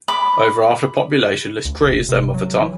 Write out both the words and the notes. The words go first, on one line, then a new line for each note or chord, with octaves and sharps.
Over half the population list Cree as their mother tongue.
B5 D6
D2
F1
C3
F#3
E3